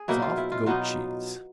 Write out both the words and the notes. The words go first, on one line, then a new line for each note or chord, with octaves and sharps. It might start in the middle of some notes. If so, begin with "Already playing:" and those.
Soft goat cheese.
Already playing: G#4
B2 F#3 A#3 D#4 E4
F4
E4
F4
B2 F#3 B3 D#4 F4